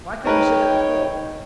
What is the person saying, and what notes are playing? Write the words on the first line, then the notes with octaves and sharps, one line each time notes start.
Why couldn't you said that before?
G#3 D#4 A#4 B4 C#5 G5